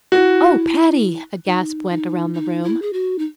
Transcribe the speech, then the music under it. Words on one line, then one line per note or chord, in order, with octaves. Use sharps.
"Oh, Patty!" a gasp went around the room.
E4 F#4
D#4
D#4
D#4
E4
G#4
F#4
D#4